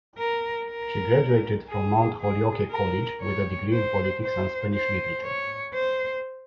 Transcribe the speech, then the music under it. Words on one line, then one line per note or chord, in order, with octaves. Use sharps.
She graduated from Mount Holyoke College with a degree in politics and Spanish literature.
A#4
A#4
G#4
G#4
A#4
C#5
C5
C5
C5
C#5
C5